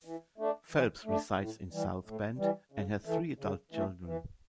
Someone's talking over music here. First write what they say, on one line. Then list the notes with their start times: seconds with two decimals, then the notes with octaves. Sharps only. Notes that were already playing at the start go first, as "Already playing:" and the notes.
Phelps resides in South Bend and has three adult children.
0.05 E3
0.38 A3 D4
0.71 E3
1.05 A3 D4
1.38 A2
1.72 E3 G3
2.05 A2
2.38 E3 G3
2.72 C#3
3.05 E3 A3
3.39 C#3
3.71 E3 A3
4.05 E3